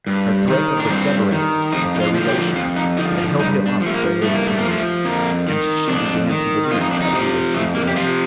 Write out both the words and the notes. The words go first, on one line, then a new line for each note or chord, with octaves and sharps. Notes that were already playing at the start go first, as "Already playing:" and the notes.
Her threat of the severance of their relations had held him up for a little time, and she began to believe that he was safe again.
G2
D#3
D4
G2 C4
D#3
F2 D#4
D#4
F4
D3 F3
G4
F2 F4
D#4
D3 F3 D#4
F4
G2 D#4
D4
F3
A3
A#3
G2 A3
A#3
A3
F3 A#3
A3
F2 A#3
D#3
F2 D4
D#3
F2 F4
D#4
D4
D#4
C3 F3
F2 A3
A#3
G4
C3 F3 F4